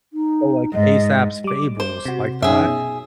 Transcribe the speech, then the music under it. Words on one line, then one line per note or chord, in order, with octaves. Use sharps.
Oh, like Aesop's fables, like that?
D#4
G#2 D#5
G3 D6
C5
C3 F#4
F#2 C#4 D#4 G#4 E5
B2